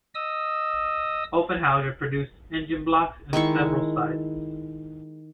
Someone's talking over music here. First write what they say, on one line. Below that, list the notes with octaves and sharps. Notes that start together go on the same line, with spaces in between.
Offenhauser produced engine blocks in several sizes.
D#5 D#6 E6
D#3 G#3 E4 C#6